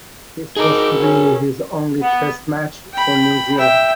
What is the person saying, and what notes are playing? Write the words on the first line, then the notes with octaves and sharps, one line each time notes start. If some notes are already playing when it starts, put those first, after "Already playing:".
This was to be his only test match for New Zealand.
D#4 G#4 A#4 D6
C#4
B3
G5 B5
E5 G5